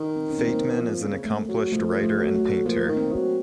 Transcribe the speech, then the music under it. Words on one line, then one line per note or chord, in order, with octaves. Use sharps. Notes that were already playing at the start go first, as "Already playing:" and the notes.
Fateman is an accomplished writer and painter.
Already playing: D#3
C4
C#4
C4
A#3
F3
C#3
A3
F#3
F3 A3
A3
F#3
A3
F3 A#3
D#3
C4
F#3